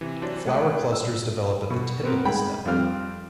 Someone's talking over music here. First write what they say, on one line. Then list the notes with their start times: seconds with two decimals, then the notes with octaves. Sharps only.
Flower clusters develop at the tip of the stem.
0.01 C3 E3
0.22 F#3 D4 C5
0.46 G#3 A3 F#5 G5 D#6
0.92 E6
1.70 B2
2.03 B3 C4 A#4
2.25 G#2 G#4 F#5 G5 B5
2.65 F2 F3 G3 C4 F6